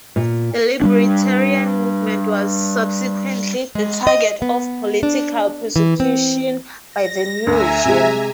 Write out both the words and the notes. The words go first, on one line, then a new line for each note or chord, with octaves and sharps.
The libertarian movement was subsequently the target of political persecution by the new regime.
A#2
G3 G#3 D4
G#3
D#5
B3
D4
E3
C4
A#6
D2 E5 G#5 A#5
C3 G#3